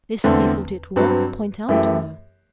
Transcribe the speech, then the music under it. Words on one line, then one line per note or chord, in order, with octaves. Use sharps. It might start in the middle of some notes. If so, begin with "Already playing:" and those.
This he thought it well to point out to her.
E2 D3 A3 C4
G2 F#3 C4 F#4 B4
F#2 E3 A3 E4 G4